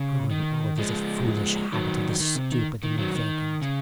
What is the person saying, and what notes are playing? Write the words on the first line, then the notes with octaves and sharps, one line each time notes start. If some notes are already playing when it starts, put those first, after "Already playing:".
'Growing old is a foolish habit of the stupid and the vacant.
Already playing: C#3
D#3
F3 G#3
D#3 F#3
D#3
C3
D#3
D#3
D#3 F#3
D#3
C#3